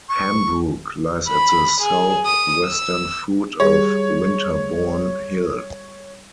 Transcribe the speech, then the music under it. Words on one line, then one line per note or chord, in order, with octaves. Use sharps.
Hambrook lies at the south-western foot of Winterbourne Hill.
C#6
B5
G#4
D#6
E6
G3 G4 G#4 C#5